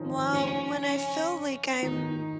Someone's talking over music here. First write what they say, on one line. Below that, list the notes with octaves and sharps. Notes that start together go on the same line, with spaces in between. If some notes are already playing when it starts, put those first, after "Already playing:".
well, when I feel like I'm
Already playing: D#3 F3 C#4
C#3 C#4
C#4
D#3 D#4